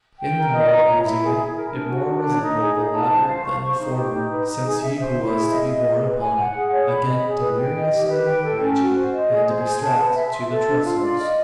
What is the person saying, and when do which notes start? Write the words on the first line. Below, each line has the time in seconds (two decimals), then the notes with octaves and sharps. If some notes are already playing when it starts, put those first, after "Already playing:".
In the mode of using it, it more resembled the latter than the former: since he who was to be borne upon it, again deliriously raging, had to be strapped to the trestles!
0.18 G5
0.34 A#4
0.52 D#5
0.69 A#5
0.86 C#5
1.04 E4
1.21 G#4
1.37 E4
1.54 A#4
1.72 D4
1.90 F#4
2.07 D4
2.24 C#5
2.41 D#4
2.59 G#4
2.75 D#4
2.93 A5
3.10 C5
3.27 F5
3.45 C#6
3.61 C5
3.78 D#4
3.96 G4
4.13 D#4
4.30 B4
4.47 D#4
4.64 G#4
4.81 E5
4.99 C5
5.17 E4
5.33 G#4
5.51 D#5
5.68 D#5
5.85 G#4
6.01 B4
6.19 G#5
6.36 F#5
6.53 G#4
6.71 C#5
6.88 B5
7.05 D#5
7.23 G#4
7.40 B4
7.57 G5
7.75 D#5
7.91 G4
8.08 B4
8.25 G5
8.43 A4
8.60 C#4
8.78 F#4
8.95 C5
9.12 D#5
9.29 G#4
9.45 C5
9.64 G#4
9.80 A5
9.98 B4
10.15 E5
10.31 C6
10.50 A4
10.66 D4
10.83 F4
11.00 D5
11.18 D#5